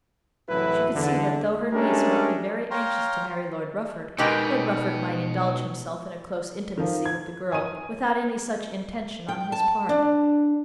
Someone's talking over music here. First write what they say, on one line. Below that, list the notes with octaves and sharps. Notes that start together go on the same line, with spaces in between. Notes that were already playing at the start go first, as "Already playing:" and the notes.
She could see that though her niece might be very anxious to marry Lord Rufford, Lord Rufford might indulge himself in a close intimacy with the girl without any such intention on his part.
C2 A2 E3 F#3 E4 B4
E2 D3
G#3 A3 C#4 D4 G4 A#4
C#5 F5 G5 A#5 C6
B2 G#3 D#4 G4 A#4 B4 G5
D#3 F3
G#6
C#5 G#5 D#6 D#7
G5
A5
D4